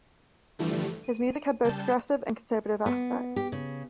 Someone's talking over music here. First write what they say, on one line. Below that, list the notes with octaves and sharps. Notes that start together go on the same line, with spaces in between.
His music had both progressive and conservative aspects.
G2 D3 E3 F3 G3 A3
D#7
C#3 G3 A5 G6
B3
G4
C#3